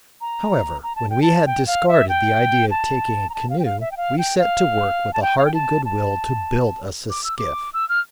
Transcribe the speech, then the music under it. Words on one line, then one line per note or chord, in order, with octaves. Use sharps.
However, when we had discarded the idea of taking a canoe, we set to work with a hearty good will to build us a skiff.
A#5
A#5
A5
G5
A5
G5
F5
E5
G5
A5
A#5
A5
F5
G5
F5
E5
G5
F5
G5
F5
A5
G5
F5
G5
A5
A5
D6
E6
D6
E6
F6